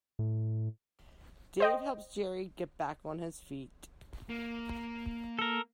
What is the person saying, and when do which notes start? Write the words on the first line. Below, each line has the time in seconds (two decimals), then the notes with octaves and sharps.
Dave helps Jerry get back on his feet.
0.19 A2
1.60 C5 D#5 G5
4.30 A#3
5.39 A4 A#4